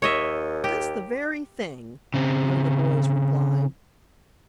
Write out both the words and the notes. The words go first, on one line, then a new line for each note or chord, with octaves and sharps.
"Just the very thing!" one of the boys replied.
D#2 C#5 D#5 E5
G4
C#3 C4